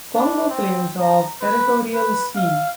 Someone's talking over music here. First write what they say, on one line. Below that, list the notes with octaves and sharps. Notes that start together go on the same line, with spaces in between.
Congo claims of territorial sea.
D4
C4
A#5
B4
B4
F5